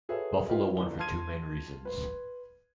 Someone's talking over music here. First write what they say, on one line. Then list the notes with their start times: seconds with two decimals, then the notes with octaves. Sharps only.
Buffalo won for two main reasons.
0.09 F#4 G#4 A4 B4 C#5 E5
0.47 E4 F4 G4 A#4 B4 D#5
0.77 G1 E3 G7
0.98 F5 A5 C6 F6 G#6 D#7
1.85 B4 C6